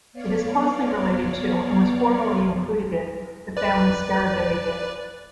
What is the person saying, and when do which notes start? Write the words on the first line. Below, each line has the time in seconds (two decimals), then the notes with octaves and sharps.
It is closely related to, and was formerly included in, the family Scarabaeidae.
0.13 B3 C#5 D5 F5
3.57 B4 D5